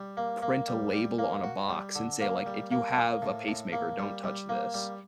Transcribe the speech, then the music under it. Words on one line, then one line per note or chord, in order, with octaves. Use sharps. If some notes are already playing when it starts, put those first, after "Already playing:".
print a label on a box and say, like, "If you have a pacemaker, don't touch this."
Already playing: G3
A#3
A#3
G3
G3
A#3
F#4
G3
D3
A#3
G3
A#3
A#3
A2
A2
A#3
G3
G3
A#3
G3